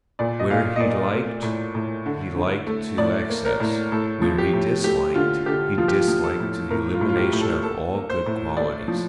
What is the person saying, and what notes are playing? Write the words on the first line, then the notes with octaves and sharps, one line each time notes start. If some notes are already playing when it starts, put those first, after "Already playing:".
Where he liked, he liked to excess; where he disliked, he disliked to the elimination of all good qualities.
A#2 D5
D#5
A#2 F5
D#5
A#3 D5
A3
A2
A2
D3
D3
A3
A2 D5
A#3
A#4
A2
A2 A4
F3
G4
A2
A3 G4
D3 F4
D3 G4
F3 F4
G4
F4
F3
A4
A2
A2 A#4
F4
A2
F4
G4
A2
A4
A#3 A4
A#3
C5
A2
A3 D5
F3